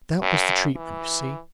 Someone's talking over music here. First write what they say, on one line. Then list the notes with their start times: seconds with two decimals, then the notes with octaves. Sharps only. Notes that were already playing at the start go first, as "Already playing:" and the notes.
'That was the treatment, you see.
0.22 F#2
0.76 E3